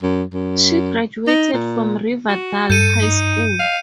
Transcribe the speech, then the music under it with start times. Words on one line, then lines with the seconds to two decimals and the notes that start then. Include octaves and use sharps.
She graduated from Riverdale High School.
0.03 F#2
0.33 F#2
1.27 D#4
1.54 A#2
2.28 F#4
2.70 G2 A4 G6 C#7 D#7
3.02 D#4
3.59 F5